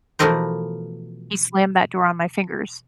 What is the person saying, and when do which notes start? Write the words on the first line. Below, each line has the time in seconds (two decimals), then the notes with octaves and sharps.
he slammed that door on my fingers,
0.19 B2 E3 F3 A3 A#4 C5